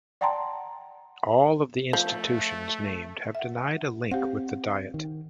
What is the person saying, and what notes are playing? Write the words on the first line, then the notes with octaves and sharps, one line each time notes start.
All of the institutions named have denied a link with the diet.
D5 F#5 G5 A5 A#5 C6
F3 A3
E5 F#5
C4 G4 F5 F#5
D#3